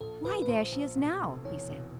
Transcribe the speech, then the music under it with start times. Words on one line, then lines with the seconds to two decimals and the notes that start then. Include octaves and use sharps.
"Why, there she is now!" he said.
0.01 A#1 A4
0.24 A#1 B4
0.42 B4
0.48 A#1 C5
0.72 A#1
0.96 B2
1.21 F1
1.45 E2 C#5
1.69 B2